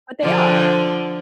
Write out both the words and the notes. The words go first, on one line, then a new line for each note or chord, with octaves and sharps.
But they are.
D3 F3 D4